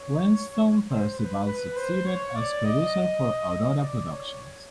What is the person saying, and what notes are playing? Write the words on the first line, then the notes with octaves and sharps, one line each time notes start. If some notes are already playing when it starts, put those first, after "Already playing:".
Weston Perceval succeeds as producer for Aurora Productions.
Already playing: C#5
C5
B4
B4
C5
C#5
D5
D#5
D5
C#5